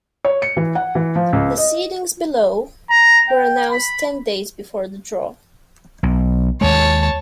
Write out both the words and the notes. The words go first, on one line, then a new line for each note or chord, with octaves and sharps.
The seedings below were announced ten days before the draw.
C#5
C#7
E3
F#5
E3
F3
C#2
D#5
A#5
G5
B5
B1
D#2 G#3 C#5 A5